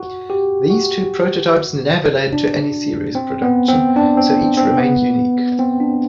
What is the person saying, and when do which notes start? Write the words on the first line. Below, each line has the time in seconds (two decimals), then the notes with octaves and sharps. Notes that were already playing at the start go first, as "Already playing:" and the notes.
These two prototypes never led to any series production, so each remained unique.
Already playing: F#4
0.30 G4
0.70 F#4
2.33 D4
3.15 C4
3.42 B3
3.68 C4
3.96 D4
4.17 C4
4.58 C4
4.78 B3
5.59 C4
5.80 D4